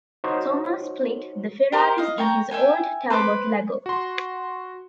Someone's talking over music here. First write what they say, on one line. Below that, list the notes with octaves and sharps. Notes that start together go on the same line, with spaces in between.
Sommer split the Ferraris in his old Talbot-Lago.
D#4 F#4 C5 C#5
G4 A#4 C5
D#5 F5
C#5 G5 A5 A#5
E5 G5 G#5
B4 C5 A5 D6
F#4 C6